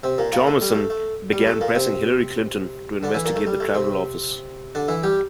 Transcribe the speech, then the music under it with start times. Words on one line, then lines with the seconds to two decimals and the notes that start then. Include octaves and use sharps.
Thomason began pressing Hillary Clinton to investigate the travel office.
0.04 C3 C4
0.18 A#2 A#3
0.32 A#2 A#3
0.47 A3
0.61 G3
0.75 A3
0.90 A3
1.32 G3
1.47 A3
1.61 A#2 A#3
1.75 C3 C4
3.03 D3 D4
3.14 E3 E4
3.25 A#2 A#3
3.36 A3
3.47 G3
3.60 A3
3.74 C3 C4
4.75 D3 D4
4.88 E3 E4
5.03 G3 G4